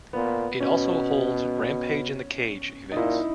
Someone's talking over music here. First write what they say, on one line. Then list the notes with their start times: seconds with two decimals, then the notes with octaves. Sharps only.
It also holds Rampage in the Cage events.
0.13 A#2 B3
0.60 B2 C#4
2.92 D#4
2.96 A#2 E4